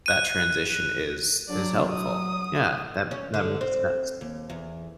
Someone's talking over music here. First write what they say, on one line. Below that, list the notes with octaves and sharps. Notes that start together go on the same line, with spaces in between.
that transition is is helpful. Yeah. That that makes sense.
F#6 D#7
F#3 D4 D5
D#6
C#4
D3
C4
D#2
E2